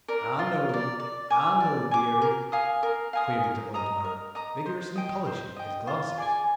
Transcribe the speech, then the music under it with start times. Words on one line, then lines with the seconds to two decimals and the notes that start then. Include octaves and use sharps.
"I know--I know, dearie," quavered the old man, vigorously polishing his glasses.
0.08 A#4 D5
0.39 F4
0.69 A#4 D5
1.00 D5
1.30 G#5 D6
1.60 D5
1.91 G#5 D6
2.22 A#4
2.52 F5 G#5 D#6
2.83 A#4
3.13 F5 G#5 D#6
3.44 A#4
3.74 D#5 A#5 D#6
4.04 A#4
4.35 D#5 A#5 D#6
4.66 C5
4.96 D#5 G5
5.26 C5
5.56 D#5 G5
5.87 F4
6.18 G#4 D5 G#5